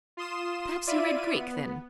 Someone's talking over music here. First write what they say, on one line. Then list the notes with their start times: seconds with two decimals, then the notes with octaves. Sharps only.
Perhaps you read Greek, then?'
0.17 F4 C6 D#6 E7
0.87 E4 F4 D5 E5 D#7
1.35 B3